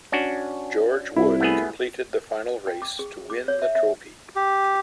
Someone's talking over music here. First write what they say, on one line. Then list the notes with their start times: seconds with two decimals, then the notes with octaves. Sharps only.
George Wood completed the final race to win the trophy.
0.12 C#4 D4 F#4
1.16 C2 E4
1.40 A3 B3 G#4
2.67 G5
2.82 D6
2.99 G#4
3.30 D6
3.48 C#5
3.62 E5
3.75 E5
4.36 G4